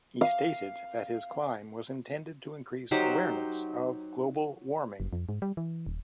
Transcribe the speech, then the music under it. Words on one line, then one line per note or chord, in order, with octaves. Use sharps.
He stated that his climb was intended to increase awareness of global warming.
F5
F#3 D#4 G4 C5
F#1
F2
G#2
G3
E3
D#1